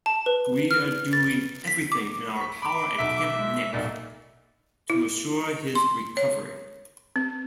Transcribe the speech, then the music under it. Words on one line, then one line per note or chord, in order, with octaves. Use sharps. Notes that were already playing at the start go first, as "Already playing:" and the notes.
We are doing everything in our power at Camp Nick to assure his recovery.
A5
B4
F6
A6
B6
D6
C#6 B6
B5 D6
B1 E5 B6
G#3
B1 A#2 D5
E4
C6
C#5
C4